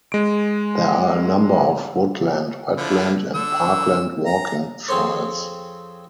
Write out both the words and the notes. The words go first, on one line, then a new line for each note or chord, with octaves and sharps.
There are a number of woodland, wetland and parkland walking trails.
G#3 D7
D3 F3 E4
D3 E6
A#5
F2 C4 G#4 C5 C#5